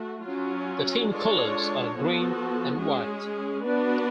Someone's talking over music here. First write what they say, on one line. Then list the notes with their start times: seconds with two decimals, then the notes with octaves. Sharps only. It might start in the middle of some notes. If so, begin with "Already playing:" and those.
The team colours are green and white.
Already playing: A3 F#4
0.25 F#3 C#4 F4
1.10 G#3 D4 F4 A4 C#5
1.95 F3 B3 F#4 A4
2.80 G#3 C#4 G#4
3.64 B3 D4 F#4 B4 D5